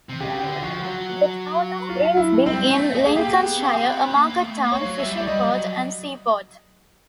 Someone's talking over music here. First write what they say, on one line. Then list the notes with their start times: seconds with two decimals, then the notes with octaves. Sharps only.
The town of Grimsby in Lincolnshire, a market town, fishing port and seaport.
0.09 C3
0.20 C#3 G4
0.41 D3
0.62 F3 F#4
0.83 F#3
1.89 F4
2.17 E4
2.46 C4
2.53 G3
2.63 G#3
2.74 A3
2.95 A#3
3.06 G#4
3.16 A#3 G4
3.37 B3
3.58 C4
3.87 B3
4.15 A#3
4.43 A3
4.64 A#3
4.72 C#5
4.85 F#3
5.00 E5
5.06 G3
5.21 D5
5.27 G3 D#5
5.49 F#3